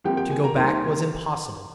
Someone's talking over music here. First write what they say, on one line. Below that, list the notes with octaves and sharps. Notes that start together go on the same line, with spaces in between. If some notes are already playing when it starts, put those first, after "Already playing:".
To go back was impossible.
C2 C3 F3 A#3 G4 G5
G4 G5
G#4 G#5
A#4 A#5
D#2 D#3 G3 C5 C6